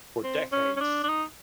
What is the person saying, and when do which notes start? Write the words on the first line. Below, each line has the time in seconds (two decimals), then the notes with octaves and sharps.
For decades.
0.23 C4
0.52 C#4
0.76 C#4
0.81 D4
1.03 D4
1.09 D#4